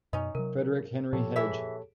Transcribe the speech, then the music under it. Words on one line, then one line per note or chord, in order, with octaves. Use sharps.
Frederic Henry Hedge.
F#2 B2 C#4 D#4 D#5
C3 F#3 A#4
A#2 F3 G4 A4 C#5
E3 G#4 E5 B6